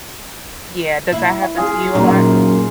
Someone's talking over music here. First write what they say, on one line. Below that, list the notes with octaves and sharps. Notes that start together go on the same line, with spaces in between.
yeah, does that happen to you a lot?
E4
F4 G#4
F#2 A#2 D#4